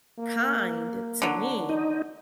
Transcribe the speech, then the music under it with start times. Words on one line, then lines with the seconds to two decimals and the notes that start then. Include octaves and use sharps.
kind to me,
0.18 A#3
1.22 D3 F#3
1.69 D#4